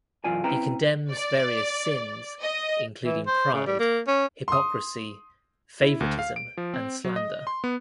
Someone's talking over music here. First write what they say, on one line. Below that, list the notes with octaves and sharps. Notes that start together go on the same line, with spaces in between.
He condemns various sins, including pride, hypocrisy, favouritism, and slander.
B1 F#2 E3 F4 D5 G#5
C4 C#4 E4 B4 G5 A#5
D5
D#5
E3
C5
C#3
G3
A#3
C#4
C6 D#6
E4
D2
F5
D7
F3
C4
F#3
D#5
C6
B3